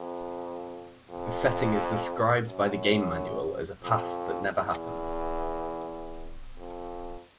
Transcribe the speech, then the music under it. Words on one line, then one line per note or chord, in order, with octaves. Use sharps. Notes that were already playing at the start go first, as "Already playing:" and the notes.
The setting is described by the game manual as a "past that never happened".
Already playing: F2
F2
F#2
F2
E2
F2